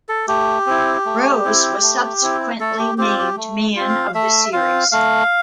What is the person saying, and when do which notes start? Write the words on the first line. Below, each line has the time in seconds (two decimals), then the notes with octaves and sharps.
Rose was subsequently named Man-of-the-Series.
0.09 A4
0.27 A3 G4
0.66 C4 E4
1.06 A3
1.44 C4 E4
1.82 A3
2.22 C4 E4
2.60 A3 A4
2.79 G4
2.98 C4 F4 G4
3.19 G4
3.37 A3
3.76 C4 F4
3.88 F5
4.14 A3 E5
4.53 C4 F4 F5
4.92 A3 F5